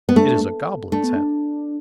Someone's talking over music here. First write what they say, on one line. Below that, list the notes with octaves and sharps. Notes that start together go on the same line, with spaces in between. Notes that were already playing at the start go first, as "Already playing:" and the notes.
It is a goblin's head.
B3
A3 D4
A3 D4
B3
D4